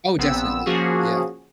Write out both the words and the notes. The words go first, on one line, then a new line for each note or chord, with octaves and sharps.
Oh, definitely, yeah.
A#1 B3 C4 E6
F3 A#3 C#4 F#4 G#4